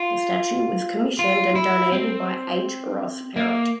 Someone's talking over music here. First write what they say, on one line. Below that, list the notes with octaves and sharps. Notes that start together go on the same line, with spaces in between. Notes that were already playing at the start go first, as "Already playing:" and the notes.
The statue was commissioned and donated by H. Ross Perot.
Already playing: F4
F4
E4
C4
A#3